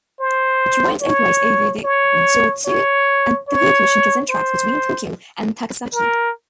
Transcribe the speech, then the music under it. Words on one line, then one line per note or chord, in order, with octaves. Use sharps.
Trains operate over the Joetsu and Tohoku Shinkansen tracks between Tokyo and Takasaki.
C5
C#5
C#5
C#5
C#5
C5
A#4